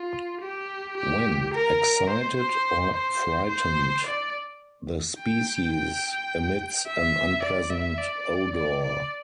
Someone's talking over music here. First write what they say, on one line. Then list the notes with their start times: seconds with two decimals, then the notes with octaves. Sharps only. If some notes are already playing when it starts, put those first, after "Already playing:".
When excited or frightened, the species emits an unpleasant odor.
Already playing: F4
0.41 G4
0.97 G4
1.54 A#4
2.10 C5
2.37 C5
2.94 C5
3.49 C5
4.06 D5
5.18 G5
5.74 G5
6.87 E5
7.42 D5
7.70 E5
7.98 D5
8.55 D5
8.83 D5